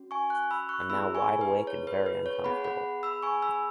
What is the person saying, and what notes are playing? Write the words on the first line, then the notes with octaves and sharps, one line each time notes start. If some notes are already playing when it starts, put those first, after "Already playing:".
I'm now wide awake and very uncomfortable.
Already playing: C#4 F#4
G#5 C#6
C#6 F#6
B5 E6
C#6 F#6
B3 E4 G#4 B5 E6
G#5 C#6
B4
C#5
B4
B4
C#5
B3 G#4 F#5 B5
F#5 B5
B5 E6
G#5 C#6
B5 E6